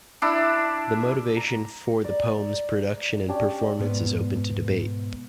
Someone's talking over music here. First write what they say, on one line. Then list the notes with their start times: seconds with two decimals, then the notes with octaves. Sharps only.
The motivation for the poem's production and performance is open to debate.
0.22 D4 E4
1.37 A#5
2.04 D5
3.29 C#4 D4 G4
3.79 G#2 B2 B3